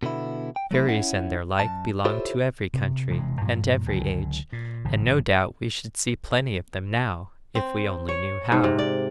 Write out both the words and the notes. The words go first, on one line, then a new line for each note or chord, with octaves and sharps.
Fairies and their like belong to every country and every age, and no doubt we should see plenty of them now--if we only knew how.
B2 D3 B3 E4
G5
F#3 A3 E4
C#4 E4 F#5
F#2 A5
E4 F4 G4 A4 C5 C#5
C3
E1 C3 E3 G#3
G2 A#2 F3 F#3
C#2 D3 F#3
A#2
G#1 C#3 F3
C4
C#5
G#2
C3
D5